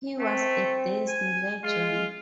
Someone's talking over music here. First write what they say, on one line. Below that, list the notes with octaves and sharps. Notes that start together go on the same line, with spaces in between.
He was a Disney legend.
A3 C4
G#5
G#3 F4